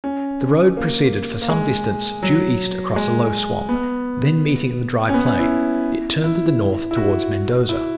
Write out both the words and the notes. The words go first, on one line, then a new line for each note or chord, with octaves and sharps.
The road proceeded for some distance due east across a low swamp; then meeting the dry plain, it turned to the north towards Mendoza.
C#4
A#3
A#3
G#3
F#3
G#3
B3
C#4
B3
C#4
E4
E4
E4
F#4
E4